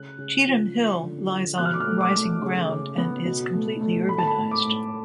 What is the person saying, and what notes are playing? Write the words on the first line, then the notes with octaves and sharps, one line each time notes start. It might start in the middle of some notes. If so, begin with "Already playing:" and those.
Cheetham Hill lies on "rising ground" and is completely urbanised.
Already playing: C#3 F#6
C#3
F3
F3
D3
F3
B2 F#6
F6
D6
F6
A3
D6
A3
C#3
C#3
B3
B2
A3
A3
A2 B5
A5
B5
A2
D6
A2